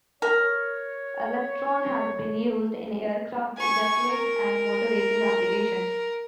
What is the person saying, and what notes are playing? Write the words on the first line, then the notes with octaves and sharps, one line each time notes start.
Elektron has been used in aircraft, Zeppelins, and motor racing applications.
A#4 C#5
G#5 C#6
A#4